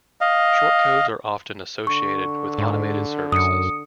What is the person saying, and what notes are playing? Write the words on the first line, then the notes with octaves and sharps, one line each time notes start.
Short codes are often associated with automated services.
D#5 F5
D3 C#6
G#2
F#2 D#6 C#7